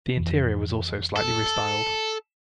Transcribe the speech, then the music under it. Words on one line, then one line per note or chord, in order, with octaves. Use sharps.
The interior was also slightly restyled.
F2 E3
A4